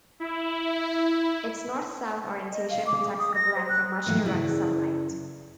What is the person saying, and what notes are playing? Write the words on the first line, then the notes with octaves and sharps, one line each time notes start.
Its north-south orientation protects the glen from much direct sunlight.
E4
D#5
F5
D6
G#4
D#6
A#6
C5
F#6
G#2 D#3 E3 F#3 A3 A#3
F#2 C#3 E4 G#4 B4 D5